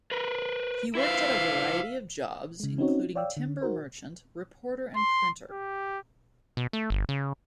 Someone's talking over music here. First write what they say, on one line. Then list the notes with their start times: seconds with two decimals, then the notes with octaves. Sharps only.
He worked at a variety of jobs, including timber merchant, reporter and printer.
0.11 A#4 B4
0.95 E4 B4 C5 E5 F5
2.60 C#3 G#3
2.78 C4 C#4 D#4 F#4 C#5
3.15 C#5 D5 F5 G5 E6
3.37 D3
3.61 D#4 F#4 A#4 C5
4.96 C6
5.51 G4
6.57 B2
6.73 A3
6.90 G1
7.09 C#3